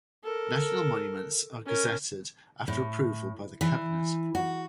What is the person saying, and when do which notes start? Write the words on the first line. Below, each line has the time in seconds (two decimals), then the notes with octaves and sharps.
National Monuments are gazetted after approval by the cabinet.
0.24 A4 A#4
1.66 C#4 A#4
2.68 A2
3.61 E3
4.35 F#4